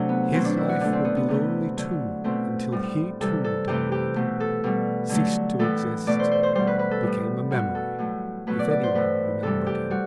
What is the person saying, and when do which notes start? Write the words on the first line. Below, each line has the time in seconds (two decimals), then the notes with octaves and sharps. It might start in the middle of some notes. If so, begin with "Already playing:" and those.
His life would be lonely too until he, too, died, ceased to exist, became a memory--if anyone remembered him.
Already playing: C3 F#3 A3 D4
0.09 B3
0.33 B2 F#3 A3 C4
0.44 D4
0.57 E4
0.69 F#4
0.81 D3 A3 D4
0.93 C4
1.05 B3
1.16 B3
1.28 C3 E3 A3
1.77 D3 F#3 A3
2.24 B2 A3 C4
2.72 A2 G3
3.20 C3 E3 G3 A4
3.44 A4
3.68 C3 E3 A3 G4
3.92 G4
4.16 B2 A3
4.40 A4
4.64 B2 G3
5.09 D3 F#3 A3
5.59 A2 E3 A3 A4
6.07 B2 A3 D5
6.19 C5
6.31 C5
6.43 C5
6.55 B2 G3 C5
6.67 B4
6.79 B4
6.91 A4
7.03 A2 G3
7.51 B2 G3 F#4
7.75 A4
7.98 A2 F#3 A3
8.47 B2 F#3 A3 B4
8.59 D5
8.71 D5
8.83 C5
8.95 A2 E3 A3 B4
9.42 C3 E3 G3 A4
9.66 G4
9.90 G3 F#4